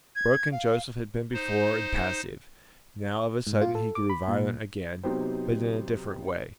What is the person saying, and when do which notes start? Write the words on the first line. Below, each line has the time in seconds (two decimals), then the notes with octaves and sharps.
Broken Joseph had been before and passive; now of a sudden he grew violent again, but in a different way.
0.16 G#6
0.52 F5
1.34 D#4 C5
3.47 G#2
3.61 F4
3.75 A4
3.95 D6
4.10 B5
4.28 A#2
5.03 C3 F#3 B3 D#4 G4 C5